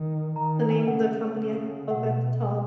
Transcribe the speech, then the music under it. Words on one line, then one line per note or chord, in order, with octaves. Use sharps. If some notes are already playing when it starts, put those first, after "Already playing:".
the name of the company up up at the top
Already playing: D#3
D#3 A#5
G#5
C#3 F#5
C#3
B2 F#5